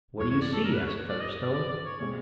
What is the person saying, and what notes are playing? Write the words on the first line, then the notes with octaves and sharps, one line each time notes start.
"What do you see?" asked Featherstone.
G2 E3 G#3 B3 C#5
C#5
D5
A4
A#4
B4
C#5
D5
D#5
D5
D5
D5
C#5
B2 G#3 C4 C#5